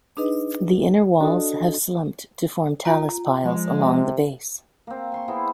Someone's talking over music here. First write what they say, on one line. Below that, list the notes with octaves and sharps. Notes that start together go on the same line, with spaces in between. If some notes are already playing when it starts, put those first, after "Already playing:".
The inner walls have slumped to form talus piles along the base.
D4 D#4 G#4 B4 D#5
D4 F#4 A4 D#5
F4 A#5
F3 G#3
C3
A#3 C4
G#5 C6 C#6
B3 C4 E4 G#4